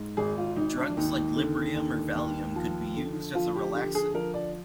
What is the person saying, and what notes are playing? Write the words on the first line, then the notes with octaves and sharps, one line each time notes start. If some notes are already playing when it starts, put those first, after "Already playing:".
Drugs like Librium or Valium could be used as a relaxant.
Already playing: G#2
G#1 G#4
F4
G#1 D#4
D4
D#2 D#4
D3
D#2
D#2
F3
D3
F3 F4
G4
D3 G4
G#4
F3 A#4
D5